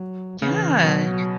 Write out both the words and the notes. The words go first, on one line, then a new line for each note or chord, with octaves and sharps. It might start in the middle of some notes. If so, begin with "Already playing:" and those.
Yeah, you're
Already playing: F#3
C#3 E3
B2 F#3